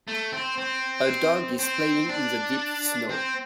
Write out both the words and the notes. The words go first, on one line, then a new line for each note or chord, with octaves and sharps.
A dog is playing in the deep snow.
A3
C4
C4
C4
D4
C4